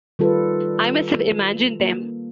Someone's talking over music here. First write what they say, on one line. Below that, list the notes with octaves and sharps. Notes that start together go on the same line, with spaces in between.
I must have imagined them.
D#3 G3 F4 A4 B4
A#3